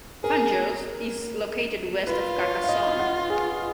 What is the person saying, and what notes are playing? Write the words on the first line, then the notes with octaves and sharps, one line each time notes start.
Fanjeaux is located west of Carcassonne.
G#4 A#4
F4 B4
C#5
F5
D#5
F#5
G#4